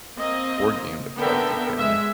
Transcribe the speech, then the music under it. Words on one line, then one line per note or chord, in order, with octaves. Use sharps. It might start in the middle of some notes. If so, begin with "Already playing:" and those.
board game to play with your family?
A#3 C4 D#5
D3 B3 D4 A#4 E5 G5
G#3 E5